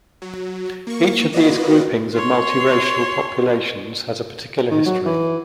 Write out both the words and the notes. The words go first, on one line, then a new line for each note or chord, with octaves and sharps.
Each of these groupings of multiracial populations has a particular history.
F#3
A#3 C#6
A#3 F4 F#4 B4 D5 D#5
C#5 C6
D#3
F#3
E3